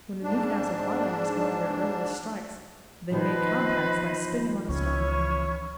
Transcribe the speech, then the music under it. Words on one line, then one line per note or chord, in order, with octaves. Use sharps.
When the Newcastle colliers held their earliest strikes they made compacts by spitting on a stone.
G#2 D4
B2 D#3 F3 B4 C5 D#5 B5
C#2 E3 C#4 E4 C#5 C#6